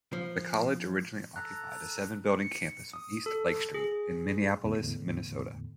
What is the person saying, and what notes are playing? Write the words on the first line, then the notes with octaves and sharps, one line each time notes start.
The college originally occupied a seven-building campus on East Lake Street in Minneapolis, Minnesota.
F3
A4 A#5 F#6
C#7
D#6
A4
G#4
E2 A2 D3